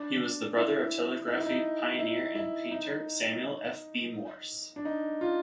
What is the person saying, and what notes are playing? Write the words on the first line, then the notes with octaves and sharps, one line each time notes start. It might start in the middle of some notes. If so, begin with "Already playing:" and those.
He was the brother of telegraphy pioneer and painter Samuel F. B. Morse.
Already playing: D4
E4
D#4
E4
D#4
E4
E4
D#4
D4
D#4
F4